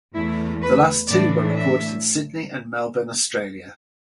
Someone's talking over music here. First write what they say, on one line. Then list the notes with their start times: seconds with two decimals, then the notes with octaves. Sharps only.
The last two were recorded in Sydney and Melbourne, Australia.
0.15 E2 E3 A3 E4
0.62 B4
1.08 A2 E3 A3 D4 D5
1.55 E5